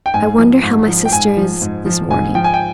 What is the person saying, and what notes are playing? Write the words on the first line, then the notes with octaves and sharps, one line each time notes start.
'I wonder how my sister is this morning.'
G5
G#2 G#5
F3
G#2
F3
G5
G#2 G#5
F3
G#2
F3
G#2 G#5
F3 G5
G#5
G5